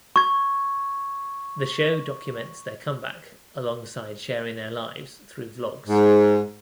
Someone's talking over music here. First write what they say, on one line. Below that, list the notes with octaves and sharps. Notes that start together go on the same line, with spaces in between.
The show documents their comeback alongside sharing their lives through vlogs.
C#6 G#6
G#2